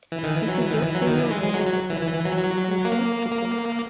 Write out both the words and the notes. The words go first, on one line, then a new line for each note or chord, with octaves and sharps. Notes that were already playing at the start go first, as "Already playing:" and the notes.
"If he gets in your way, let me know", Disney said to Kinney.
E3
D#3
E3
F#3
E3
D#3
E3
F#3
D#3
E3
G#3
G#3
F#3
F#3
E3
E3
E3
F#3
F#3
A#3
A#3